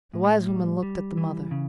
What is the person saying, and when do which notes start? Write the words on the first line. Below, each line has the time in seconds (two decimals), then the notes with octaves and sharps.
The wise woman looked at the mother.
0.14 A2
0.48 G3
0.83 G3
1.17 E3
1.51 C#3